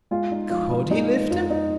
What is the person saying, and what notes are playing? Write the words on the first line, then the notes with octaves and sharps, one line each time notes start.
Could he lift him?
G#3 F4
D#4
F3 F4
F4
G#3 D#4
F2 F4
D#4